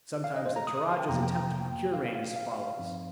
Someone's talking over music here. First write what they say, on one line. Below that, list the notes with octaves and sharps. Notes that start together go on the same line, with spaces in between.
Sometimes the Toradjas attempt to procure rain as follows.
F5
D#5
C5
A#5
D#6
D#6
C6
G5
F2 C3 F3 A#3 A#5
G5
A#5
G5
F5
F5
F5
F5
G2 F3 C4 D#4